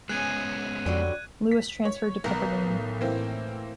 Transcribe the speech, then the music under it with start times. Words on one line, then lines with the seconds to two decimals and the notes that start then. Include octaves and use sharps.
Lewis transferred to Pepperdine.
0.09 G#3 B3 C#4 G#4 F#6 G#6 D#7
0.86 F2 D3 F#3 G3
1.51 B6
1.85 C#5
2.24 B1 D#3 B3 A#4
2.64 A2
3.01 E3 A#3 C4